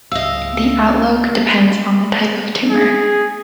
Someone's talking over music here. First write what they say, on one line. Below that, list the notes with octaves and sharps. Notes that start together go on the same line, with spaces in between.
The outlook depends on the type of tumor.
C#2 D#5 F5 E6
G#4